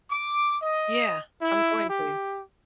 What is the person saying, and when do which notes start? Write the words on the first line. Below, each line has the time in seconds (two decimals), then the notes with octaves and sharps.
Yeah, I'm going to.
0.11 D6
0.63 D#5
1.42 E4
1.89 G4